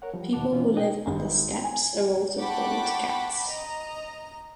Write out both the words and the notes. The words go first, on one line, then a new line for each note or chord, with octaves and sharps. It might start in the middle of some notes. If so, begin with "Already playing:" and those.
People who live on the steps are also called ghats.
A#4 C#5 F#5
F3 G3
D#2 B2 B4 F#5 A5 D6
B2 E3 C#4 F4
D4 D#4 D#5 G5
G#1
G#5
F#5 G5 A5 B5 C#6 D6
D#5 A#5